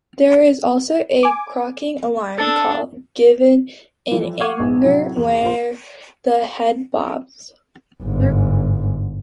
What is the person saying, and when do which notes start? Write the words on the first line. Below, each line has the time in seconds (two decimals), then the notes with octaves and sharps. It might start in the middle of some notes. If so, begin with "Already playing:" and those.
There is also a croaking alarm call given in anger where the head bobs.
1.23 G#5 D6
2.38 D4 A4
4.11 E3 F3 G3 F4 A4
4.40 F5 F#5 C#6 D6 G#6 D#7
4.59 A#1 G#2 G#3
4.84 A2 C3 F#3 C#4
5.17 E2
5.42 A#1 A3 F4 C5 C6
8.02 G1 G#2